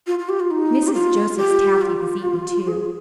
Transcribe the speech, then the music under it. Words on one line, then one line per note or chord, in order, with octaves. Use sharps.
Mrs. Joseph's taffy was eaten too.
F4
F4
G4
F4
D#4
G4
F4
G4
F4
G#4